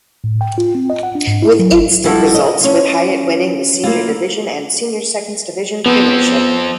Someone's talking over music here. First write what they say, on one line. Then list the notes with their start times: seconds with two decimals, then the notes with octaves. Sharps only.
With instant results with Highett winning the Senior Division and Senior Seconds Division premiership.
0.24 A2
0.41 G5
0.58 F4
0.75 C4
0.90 D#5
1.03 F#5
1.15 D4
1.27 G#2
1.42 E4
1.59 F#3
1.72 G1
2.04 F3 G3 E4 F#4 A4
2.34 D#5
2.61 F3 C#4
3.83 A#3 E4 F4
5.86 F3 B3 C4